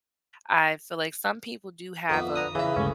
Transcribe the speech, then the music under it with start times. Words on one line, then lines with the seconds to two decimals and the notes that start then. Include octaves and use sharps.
I feel like some people do have a
2.10 F2 B3 E5
2.35 A#5 D#6
2.55 C#3 E3 E5
2.76 G1 C#2 A3 C#4